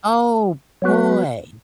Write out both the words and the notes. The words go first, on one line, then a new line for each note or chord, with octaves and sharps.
Oh, boy.
F#3 B3 F#4 B4